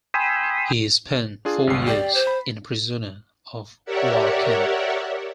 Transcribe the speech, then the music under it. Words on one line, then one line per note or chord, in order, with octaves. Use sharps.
He spent four years in a prisoner of war camp.
G5 G#5 B5 C6 D#6 E6
D4 F4 G#4
G1 C#2 C7
G4 D5 G5
C5
B5
G4 A#4 C#5 D5 E5 F#5